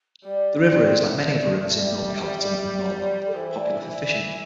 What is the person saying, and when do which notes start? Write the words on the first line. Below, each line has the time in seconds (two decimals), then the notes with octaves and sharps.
The river is, like many other rivers in Nordkalotten and Norrland, popular for fishing.
0.24 G3 D5
0.63 C4 D5
1.01 A3 E5
1.28 D5
1.53 D5
1.64 E5
1.75 G3 D5
1.86 E5
1.97 D5
2.08 E5
2.18 D5
2.29 E5
2.40 D5
2.51 E5
2.62 D5
3.27 A4
3.35 E3 C5
3.54 D5
3.73 E5
3.88 C5
3.93 D5
4.13 E5